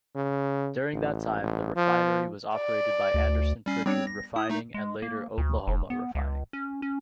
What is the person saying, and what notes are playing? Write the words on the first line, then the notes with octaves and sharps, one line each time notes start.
During that time, the refinery was operated by Anderson-Prichard Refining and later Oklahoma Refining.
C#3
A1
A1
F3
D5
D2
G3 C#4 C7
G3 B3 C4 D4 C#5
A#6
E4 D#6
A3 D#4
G#3
A#3
D2
F1
B3
C#2
C#4
C#4